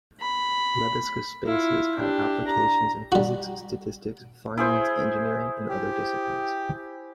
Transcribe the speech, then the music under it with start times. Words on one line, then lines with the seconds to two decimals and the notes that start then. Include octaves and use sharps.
Lebesgue spaces have applications in physics, statistics, finance, engineering, and other disciplines.
0.20 B5
1.46 E4 F4
1.99 D4 G4
2.47 A#5
3.12 G3 F#4
4.57 E4 G#4 C5
5.69 G4